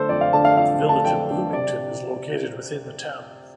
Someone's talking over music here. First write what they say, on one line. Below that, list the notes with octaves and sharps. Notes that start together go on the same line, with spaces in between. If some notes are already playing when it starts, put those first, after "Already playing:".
The Village of Bloomington is located within the town.
Already playing: D3 A3 D4 A4 C5
F2 D5
F5
D3 A3 D4 A5
F5
F2 F5
D3 A3 D4
A5
F2 G5
D3 A3 D4
C3 D5